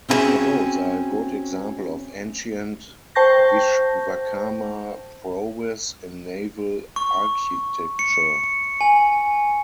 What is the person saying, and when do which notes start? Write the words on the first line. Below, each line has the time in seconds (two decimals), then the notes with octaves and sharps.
The boats are a good example of ancient Vishwakarma' prowess in naval architecture.
0.09 C4 C#4 E4 F#4 G#4 E5
3.15 C5 G5 A5 C#6 G6 A#6
6.96 C#6
7.99 C#7
8.81 G#5